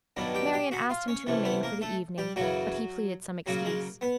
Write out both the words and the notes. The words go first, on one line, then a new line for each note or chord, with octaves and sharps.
Marian asked him to remain for the evening, but he pleaded some excuse.
G2 D#3 F#3 B3 D4
G4 G5
G4 G5
F#4 F#5
F4 F5
C#4 C#5
C3 E3 A3 C#4
B3 B4
A#3 A#4
A3 A4
G3 G4
F#2 C#3 E3 F#3 F#4
C#3 F#3 A#3 F#4
G#3 G#4
B3 B4